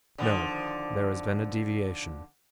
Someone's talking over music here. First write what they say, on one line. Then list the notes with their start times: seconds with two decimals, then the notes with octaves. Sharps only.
No, there has been a deviation.
0.18 D3 D#3 F3